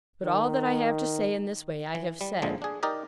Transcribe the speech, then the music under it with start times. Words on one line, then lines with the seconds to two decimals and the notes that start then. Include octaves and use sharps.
But all that I have to say in this way, I have said.
0.24 D#3
1.95 E3
2.21 G3
2.42 A#1 D3 F3 G#3
2.62 D4 G#4
2.83 D#4 G4 A#4 D5 D#5